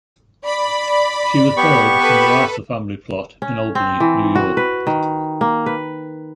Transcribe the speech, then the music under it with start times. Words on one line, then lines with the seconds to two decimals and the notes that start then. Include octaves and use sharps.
She was buried in the Arthur family plot in Albany, New York.
0.46 D5 B5
1.57 B3 G4 C#6
1.98 A4 B4
3.42 C#4
3.75 C4
4.00 E3
4.35 F#4
4.57 B4
4.87 D#3
5.41 A#3
5.66 B4